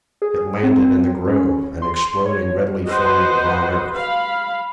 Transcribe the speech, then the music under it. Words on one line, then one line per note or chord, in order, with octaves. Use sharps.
It landed in the grove, and exploding redly flung the brown earth.
G#4
C4
C#4
C6
C#5
F#4 B4 C5 D#5 F#5
F5 B5